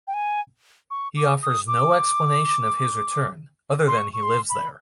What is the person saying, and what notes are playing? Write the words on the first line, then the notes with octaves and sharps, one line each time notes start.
He offers no explanation of his return, other than he lives there.
G5
G#5
C#6
D6
D#6
D6
C6
C#6
C#6
C6
B5